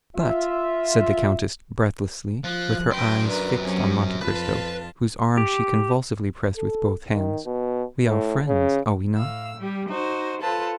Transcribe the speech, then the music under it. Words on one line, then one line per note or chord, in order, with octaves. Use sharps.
"But," said the countess, breathlessly, with her eyes fixed on Monte Cristo, whose arm she convulsively pressed with both hands, "we are friends, are we not?"
F4 E5
F3 F#6
F#2 B4 G5 C6 A#6
D4 A#4 B4
C3 F#3 C#4
F2 F4 B4 A5
G4
A4
D#3
B2
A2
C#3
A2 F5 E6
G3 G4
D#4 F#4 C5
F4 A4 B4 C5 A5